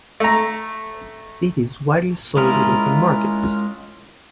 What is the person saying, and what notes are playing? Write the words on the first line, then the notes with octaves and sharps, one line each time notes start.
It is widely sold in open markets.
A3 A#5
G#3 C#4 E4 F4 A#4